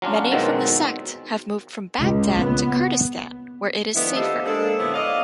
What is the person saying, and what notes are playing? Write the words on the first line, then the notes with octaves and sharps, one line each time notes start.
Many from the sect have moved from Baghdad to Kurdistan where it is safer.
F#3 C#4 D4 F4
B2 D#3 F#3 G#3 C4
C#2
B3
D#3 F3 A3 B3 D4 E4
E4 F4 G4 A4 C5 D#5
G#3 A#3 D4 A4
A#2 D3 B3 E4 C5 C#5
D5 D#5 F5